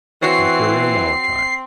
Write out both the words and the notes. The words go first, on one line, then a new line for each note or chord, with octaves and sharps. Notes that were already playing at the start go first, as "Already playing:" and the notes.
Mercurial Malachi.
E3 C4 F#4 C#5 C7